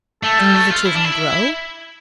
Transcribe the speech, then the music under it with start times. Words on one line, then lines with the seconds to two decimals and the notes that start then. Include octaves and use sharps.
Do the children grow?
0.23 A3 A4
0.39 G3
0.54 A3
0.71 F4
0.85 E4
0.95 D4
1.05 E4